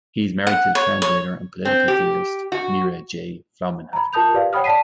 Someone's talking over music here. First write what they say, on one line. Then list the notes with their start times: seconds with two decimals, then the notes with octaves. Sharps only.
He is married to the translator and political theorist Mera J. Flaumenhaft.
0.47 F#5
0.75 C#5
1.02 C#5
1.65 C4
1.88 G4
2.52 F#4
3.93 A#5 B5
4.13 F4 A#4 A5 D#6 G6 F7
4.33 G4 B4 D5 F5
4.53 C#5 F#5 G5 B5 D#6 F6
4.64 D5 A5 B6 C7 D#7